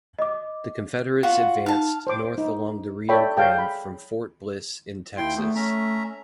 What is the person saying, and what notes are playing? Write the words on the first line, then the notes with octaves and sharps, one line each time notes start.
The Confederates advanced north along the Rio Grande from Fort Bliss in Texas.
D#5 D6
F4 F#4 F5
D#4 F5 A5
C5 D6
D#4
A4 C#5 D5 E5 G5 B5
G#4 C#5 F5 G5 A5
B5
D#2 E4 G5 C6
E2 A3 B3
C#4 E5 A#5